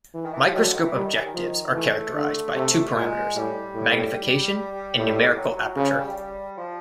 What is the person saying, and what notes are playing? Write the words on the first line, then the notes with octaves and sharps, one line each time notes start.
Microscope objectives are characterized by two parameters: magnification and numerical aperture.
E3
D#3
E3
F3
D#3 F#3
D3
D#3
E3
D#3 G3
D#3
E3
D#3
D#3 F3
E3 A3
D3
C3 A3
A#2 G#3
A2 G3
A2
A2 G3
F#3
F#3
C#3 F3
G3
G3
F3